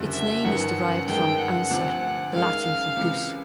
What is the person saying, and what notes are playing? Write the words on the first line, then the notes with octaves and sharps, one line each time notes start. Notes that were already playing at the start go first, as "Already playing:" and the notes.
Its name is derived from "anser" the Latin for "goose".
Already playing: F#1 F2 D3 G3
E5
G1 F#2 D#3 F#3 F#5
G1 F#2 D#3 G#3 G5
F#5
D2 C3 F3
F#2 D#3 G#3 F5
F5
C#2 C3 E3 G#3